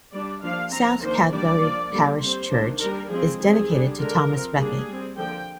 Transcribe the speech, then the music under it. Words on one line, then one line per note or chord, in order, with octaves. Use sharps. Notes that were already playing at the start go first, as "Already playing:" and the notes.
South Cadbury parish church is dedicated to Thomas Becket.
G3 D4 D5
F3 A#3 D4 F5
F3 C4 A#5
D#3 A#3 D4 C5
G3 A#3 D4 D5
F3 A#3 D4
D3 G3 A#3
G3 C4 C5
D#3 A#3 D4
G3 D4 A#4
F3 G#3 C4 G#4
D#3 G3 C4 G#4
D3 G3 D4
D3 G#3 D4 A#4
F3 C4
G3 A#3 D4 G#4
G3 C4
D3 F3 A#3 G5